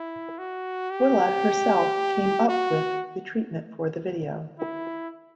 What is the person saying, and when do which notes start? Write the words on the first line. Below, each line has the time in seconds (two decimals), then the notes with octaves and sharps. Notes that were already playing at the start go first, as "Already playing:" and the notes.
Willa herself came up with the treatment for the video.
Already playing: E4
0.38 F#4
0.90 G4
2.49 F#4
4.59 E4